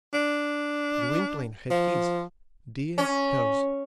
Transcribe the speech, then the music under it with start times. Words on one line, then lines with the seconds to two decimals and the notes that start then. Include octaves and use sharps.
Gwynplaine had his, Dea hers.
0.13 D4
1.70 F3
2.98 C#4